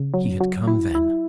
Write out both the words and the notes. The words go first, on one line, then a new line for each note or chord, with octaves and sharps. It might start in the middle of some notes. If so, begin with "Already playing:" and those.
He had come then.
Already playing: C#3
F#3
F#3
E4
E4